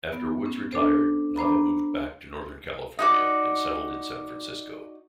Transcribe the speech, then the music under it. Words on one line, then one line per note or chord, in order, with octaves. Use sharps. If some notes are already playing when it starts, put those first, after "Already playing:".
After Woods retired, Nava moved back to Northern California and settled in San Francisco.
B3
C#4
D4 A4 C5
D4 C5 A#5 B5
D#4 F#4 D5